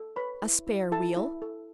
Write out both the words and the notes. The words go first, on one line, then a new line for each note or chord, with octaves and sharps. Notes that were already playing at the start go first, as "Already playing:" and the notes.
"A spare wheel?"
Already playing: A4
B4 C#5 B5
E4
E4
E4 A4 A5
E4
A4